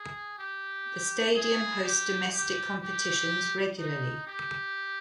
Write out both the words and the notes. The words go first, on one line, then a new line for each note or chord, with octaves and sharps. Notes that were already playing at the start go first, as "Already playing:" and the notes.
The stadium hosts domestic competitions regularly.
Already playing: G#4
G4
G#4
G4
G4
G4
D#4
G4